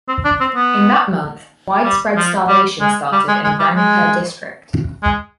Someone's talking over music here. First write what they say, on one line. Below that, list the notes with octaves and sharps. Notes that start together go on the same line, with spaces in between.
In that month widespread starvation started in Rangpur district.
C4
D4
C4
B3
G3
F3
G3
G#3
G3
G#3
G#3
G3
G#3
G#3